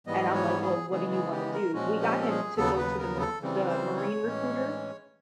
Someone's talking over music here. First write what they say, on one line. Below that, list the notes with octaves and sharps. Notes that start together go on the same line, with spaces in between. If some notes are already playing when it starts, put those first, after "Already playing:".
And I'm like, "Well, what do you wanna do?" We got him to go to the Mar the Marine recruiter,
G#2 E3 G3 B3 D#5
C#5
G#4
C#3 E3 G#3 B3 G#4
G#4
G4
A#4
A#2 F3 G#3 C#4 F#4
G4
A4
G#4
D#2 C#3 F#3 B3 A4
B4
A#4
A4
C#3 E3 G3 C4
C5
C#5
A2 E3 G#3 C#4